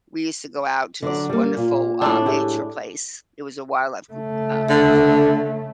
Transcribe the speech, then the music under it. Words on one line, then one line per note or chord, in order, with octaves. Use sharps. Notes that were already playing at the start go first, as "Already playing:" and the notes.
We used to go out to this wonderful, um, nature place. It was a wildlife c um, conserve,
D3 F#3 D5
G3 A#3
A#2
A2 D4
G4 G#4 E5
C#3 A3
D3